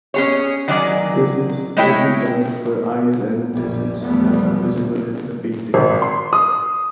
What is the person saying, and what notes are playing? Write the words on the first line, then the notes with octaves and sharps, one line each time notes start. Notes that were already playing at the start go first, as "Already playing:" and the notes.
This is only done for eyes and digits that are visible in the painting.
C#4 G#4 C#5
D#3 F#3 D5 G#5
G#3 A3 E4 C#5 G5
A#1 F#2 G3
E2 G#2 F3 G3 A3 B3
G#1
C6
D#6